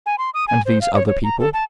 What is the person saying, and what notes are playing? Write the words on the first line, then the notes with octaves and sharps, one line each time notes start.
"And these other people?"
G#5
C6
D#6
G#5
C5
F5
C#5
C#5
A#5
A4
A5